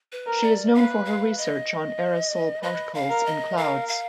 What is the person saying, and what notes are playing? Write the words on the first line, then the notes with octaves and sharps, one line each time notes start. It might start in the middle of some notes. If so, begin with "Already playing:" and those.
She is known for her research on aerosol particles in clouds.
B4
A#4
D5
B4 F5
F5
D#5
B4 D#5
F5
A#4
D#5
A#4 F5
F5